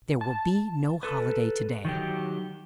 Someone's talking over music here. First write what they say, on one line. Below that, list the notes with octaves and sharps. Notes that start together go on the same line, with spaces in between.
There will be no holiday to-day.
A5
A4 B4
D#3 F#3 G4